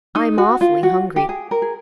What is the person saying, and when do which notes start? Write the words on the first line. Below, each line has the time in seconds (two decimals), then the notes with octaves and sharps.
I'm awfully hungry.
0.15 D#4
0.38 F#4
0.61 F4
0.83 F#4
1.16 G4
1.29 G#4
1.51 A#4
1.62 G#4